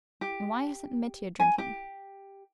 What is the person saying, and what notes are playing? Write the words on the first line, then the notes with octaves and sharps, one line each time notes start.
And why isn't Mitya drinking?
G4
G#5
G4